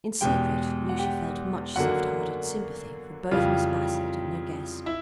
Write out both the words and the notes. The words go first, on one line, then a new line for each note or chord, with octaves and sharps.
In secret Lucia felt much soft-hearted sympathy for both Miss Bassett and her guest.
E2 B2 G#3 G4 G5
F#5
G4 G5
F#2 D3 F#3 A#3 F#4 F#5
F2 C#3 E3 G3 F4 F5
E4 E5